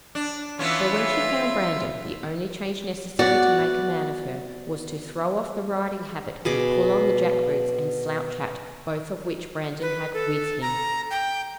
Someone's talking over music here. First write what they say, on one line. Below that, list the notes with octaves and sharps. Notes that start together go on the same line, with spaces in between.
So when she found Brandon, the only change necessary to make a man of her was to throw off the riding habit and pull on the jack-boots and slouch hat, both of which Brandon had with him.
D4
E3 B3 C#4 F4 E5
B3 F#4 D5 F#5
B2 G#4 D6
B4
A4
A#5
G5